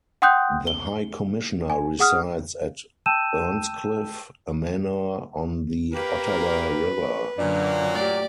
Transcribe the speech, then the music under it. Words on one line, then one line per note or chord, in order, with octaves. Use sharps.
The High Commissioner resides at Earnscliffe, a manor on the Ottawa River.
F#5 G5 C6 D#6 F#6 G6
G7
G#5
G#4 F#5 D#6 F6
G5 A5 E6 G6 D#7 E7
A#3 G4 A#4 B4
F#2 A#2 D3 F#3 A#3 D4
A3 G4 D5